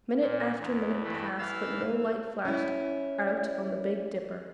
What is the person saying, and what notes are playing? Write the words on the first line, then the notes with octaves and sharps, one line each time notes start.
Minute after minute passed, but no light flashed out on the Big Dipper.
A#2
E2
G2 E3 A3
E3 F5 E6
C#4 E4